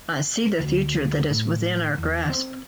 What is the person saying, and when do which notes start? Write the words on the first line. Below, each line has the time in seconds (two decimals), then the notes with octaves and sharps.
I see the future that is within our grasp.
0.60 D2
1.30 A2
1.98 E2
2.29 C4